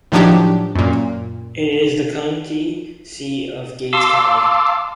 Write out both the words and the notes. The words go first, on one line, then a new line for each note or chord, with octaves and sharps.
It is the county seat of Gates County.
A2 D#3 F3 F#3 D4 G4
F#2 A#2
F5 A5 C6 D6 E6